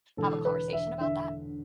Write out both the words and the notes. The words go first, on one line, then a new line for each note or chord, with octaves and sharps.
have a conversation about that?
E1 E2 D3 A4
B4
E5
D3 E5